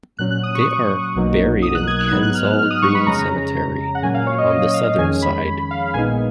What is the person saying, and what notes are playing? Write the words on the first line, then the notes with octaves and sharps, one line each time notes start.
They are buried in Kensal Green Cemetery, on the southern side.
A#2 F#3 C#4 F#6
F#6
D#6
C#6
B1 B2 F#3 A#3 D#4
D#6
F#6
G#6
F#6
G#2 F#3 B3 D#4 G#6
F#6
F6
F6
F6
D#6
C#6
B5
F2 C#3 G#3 C#4 A#5
F#5
A#2 F#3 A#3 C#4 G#5
F5
C#5
D#5
D#5
F5
F2 D#3 G#3 C#4 G#5
B5
F5
A#1 A#2 G#3 B3 D#4 G#5